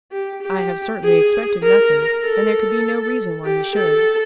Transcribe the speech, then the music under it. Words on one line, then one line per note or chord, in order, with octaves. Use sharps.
"I have certainly expected nothing, and there could be no reason why he should."
G4
G4
G#4
A#4
A4
G4
A4